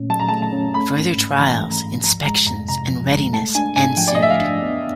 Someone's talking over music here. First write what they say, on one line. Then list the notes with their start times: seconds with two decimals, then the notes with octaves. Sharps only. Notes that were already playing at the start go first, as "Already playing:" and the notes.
Further trials, inspections, and readiness ensued.
Already playing: A#2 A3 C#4
0.10 F#3 A5
0.20 A#5
0.28 A5
0.31 A3
0.42 A5
0.53 C#4
0.74 A3 B5
0.97 G#2
1.17 G#2
1.39 E3 A#5
1.61 A3
1.71 A#5
1.82 G#2
2.03 F3 A#5
2.25 G#3 A#5
2.46 F2 A#5
2.68 C3 A#5
2.90 F3
3.11 G#3
3.33 A3 A5
3.55 D4 G#5
3.76 G#2 G#5
3.97 F3 G5
4.08 D5
4.15 D#5
4.20 A3 E5
4.30 F5
4.41 D4
4.63 B3